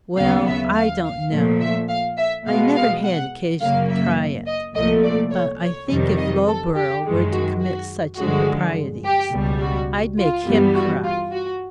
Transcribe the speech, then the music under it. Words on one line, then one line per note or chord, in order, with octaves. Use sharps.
'Well, I don't know: I never had occasion to try it; but I think if Lowborough were to commit such improprieties, I'd make him cry.
D#2 C#3 F#3 B3 F5
E5
F5
F5
A#2 F3 A3
E5
F5
E5
B2 G#3 B3 F5
F5
F#5
F#2 C#3 F#3 A#3 F5
E5
D#5
C2 A#2 F3 A3 D#5
D5
C#5
C#5
F2 C3 D#3 G3
D#5
A4
G4
F#2 D#3 G#3
F#4
F#4
G2 D3 F3 G#3 F#4
G4
C#2 B2 G3
F#4
F4
G2 E3 G3 B3
F#4
F4
F#4